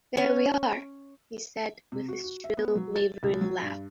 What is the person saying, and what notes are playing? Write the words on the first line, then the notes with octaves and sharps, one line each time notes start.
"There we are," he said, with his shrill, wavering laugh.
C#4
C3
F#4
F#4
E5
B3
F#3
A6
C#2
F#3
G2